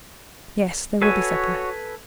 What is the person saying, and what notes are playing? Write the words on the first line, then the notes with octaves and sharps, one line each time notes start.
"Yes, there will be supper."
F#4 A4 B4 C#5 G#5